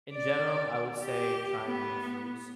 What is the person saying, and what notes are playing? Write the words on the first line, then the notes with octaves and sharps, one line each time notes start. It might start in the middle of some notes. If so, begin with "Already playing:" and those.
in general, I would say trying new foods,
D5
G4
B3